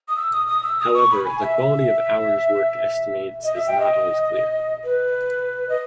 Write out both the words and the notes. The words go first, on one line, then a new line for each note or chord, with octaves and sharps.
However, the quality of hours-worked estimates is not always clear.
D#6
E6
D#6
D#6
E6
D#6
C#6
B5
G#5
E5
E5
D#5
E5
G5
D#5
B4
D#5